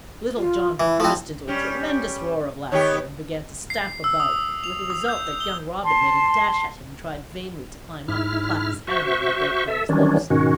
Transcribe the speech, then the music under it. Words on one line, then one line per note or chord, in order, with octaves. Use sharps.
Little John burst into a tremendous roar of laughter, and began to stamp about, with the result that young Robin made a dash at him and tried vainly to climb up and clap his hand over the great fellow's lips.
F4
E3 E4
F3 C4
G3 C#4
D#3 B3 G4 C#5
C7
E6
D#6
F7
D#6
G6
G7
A5 C6
G#2 E4 F6
F#4 C5 E5 C#6
A4 E5
D#3 E3 F#3 G3 C#4 D4
G#2 B2 D#3 C#4 F#4